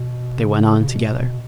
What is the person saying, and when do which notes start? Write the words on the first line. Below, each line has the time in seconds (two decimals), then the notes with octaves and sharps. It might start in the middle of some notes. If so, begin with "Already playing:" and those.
They went on together.
Already playing: B2
0.37 C#3
0.80 C#3
0.88 B2